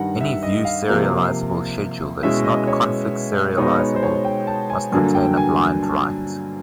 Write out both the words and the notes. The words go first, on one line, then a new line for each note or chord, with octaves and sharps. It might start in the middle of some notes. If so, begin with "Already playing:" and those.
Any view serializable schedule that is not conflict serializable must contain a blind write.
Already playing: G2 D#3 G3 F#5
E5
D#5
F5
C3 F3 A#3
B2 G#3 C#4 E4 E5
D#5
C#5
B2 G#3 B3 D#4 C#5
C#5
C5
C#5
G5
A5
G#5
G2 D3 F#3 A#3 G#5
G5
G#5
A5